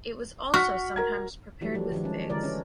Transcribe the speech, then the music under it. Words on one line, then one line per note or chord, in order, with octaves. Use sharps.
It is also sometimes prepared with figs.
F#4 C#6 F6 B6
A#4 A#5 G#6
E3 F#3 G3 A3 D4
F3 G3
D#3 F3 D4
G#3 C#4
D3 E3 G#3 A#4 D5
C#4 D4